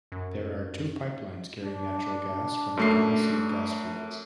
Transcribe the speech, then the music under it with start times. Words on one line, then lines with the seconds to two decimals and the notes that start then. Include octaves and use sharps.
There are two pipelines carrying natural gas from the Camisea gas fields.
0.12 F#2
1.59 D4
2.77 F#2 A3 C7